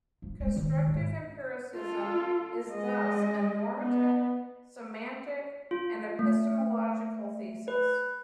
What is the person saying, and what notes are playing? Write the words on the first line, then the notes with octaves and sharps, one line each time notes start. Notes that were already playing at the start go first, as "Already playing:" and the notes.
Constructive empiricism is thus a normative, semantic and epistemological thesis.
F3
G#3
D#3
G#2
F4 A4
G#3 D#5
B3
F4
A3
B4